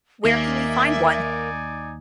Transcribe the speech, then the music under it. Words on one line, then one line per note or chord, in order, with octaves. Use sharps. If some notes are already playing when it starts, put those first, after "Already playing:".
Where can we find one?
D#2 A#3 D#4 D5 E5 G#5